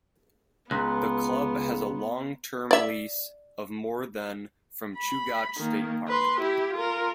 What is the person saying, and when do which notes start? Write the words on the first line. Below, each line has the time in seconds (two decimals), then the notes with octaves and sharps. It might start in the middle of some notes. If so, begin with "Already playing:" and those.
The club has a long-term lease of more than from Chugach State Park.
0.71 C#2 B3 A#5 C6 F#6
2.71 D5 E5
4.97 B5
5.58 D#3 A#3
6.08 B4 C6
6.40 E4 G4
6.73 F4 A#4